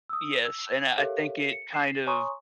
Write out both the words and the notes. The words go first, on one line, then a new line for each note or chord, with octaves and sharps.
yes, and I, uh, think it kind of,
D#6 E6
E6
G4 A4 A#4 C#5 E5 F5
C#7
C7 E7
C#5 G#5 A#5 C6 C#6 D#6